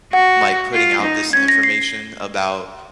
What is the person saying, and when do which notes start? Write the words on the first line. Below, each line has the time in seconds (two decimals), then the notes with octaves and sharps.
like, putting out this information about
0.13 F#4 F#5
0.73 F4
1.03 D#4
1.33 C#4 G#6
1.48 A#6
1.63 C7